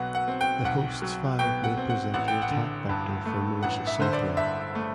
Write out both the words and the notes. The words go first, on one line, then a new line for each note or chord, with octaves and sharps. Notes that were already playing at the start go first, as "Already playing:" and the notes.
The hosts file may present an attack vector for malicious software.
Already playing: B1 B2 F#3 F#5
F#5
C4
G5
B1 F#5
F#3
B2 G5
F#5
C4
F#5
A1 F#5
G5
F#5
D3
G2
A3
A1 F#5
E5
D3 C5
D5
G2 E5
A3